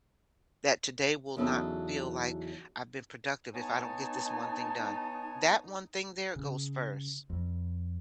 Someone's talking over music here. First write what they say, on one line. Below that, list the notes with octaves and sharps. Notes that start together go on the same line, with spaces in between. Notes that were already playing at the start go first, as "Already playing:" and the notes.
that today will not feel like I've been productive if I don't get this one thing done. That one thing there goes first.
E2 C#3 F#3 D#4 A4
B3 D#4 C#5 G#5 A5
C#3
F2